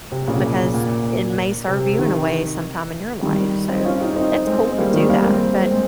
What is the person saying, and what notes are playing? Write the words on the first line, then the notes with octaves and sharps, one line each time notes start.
because it may serve you in a way sometime in your life, so it's cool to do that. But
C3
A#2 C#3
A#2
C3
C3 D#3
D#3 G3
C4 D#4
C#4 F4
D#4 G4
C4 D#4
G#3 C4
G3 A#3
D#3 G3
G3 A#3
G#3 C4
G#3 C4